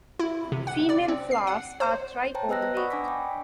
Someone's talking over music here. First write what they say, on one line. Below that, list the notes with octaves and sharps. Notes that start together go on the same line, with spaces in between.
Female flowers are tri-ovulate.
E4
C3
F#5
D5
C4
C7
F#5
C5
C5 C#5 G5 A5 A#5
B3 B4 D#5 E6 F#6 A#6
A#6
D5 F#5 B5 C#6 D#6
D4 G#5 D6 A#6 B6
G5